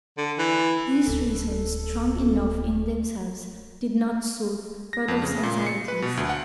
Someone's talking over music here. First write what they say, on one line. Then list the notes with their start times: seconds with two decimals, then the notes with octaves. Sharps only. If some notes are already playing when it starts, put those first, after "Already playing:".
These reasons, strong enough in themselves, did not soothe Rodolph's anxieties.
0.17 D3
0.39 E3
1.08 D1 A4
4.93 A#6
5.08 F2
5.22 C#3
5.43 A#2
5.66 C#7
5.88 B4
6.02 B2
6.17 D2
6.29 F#5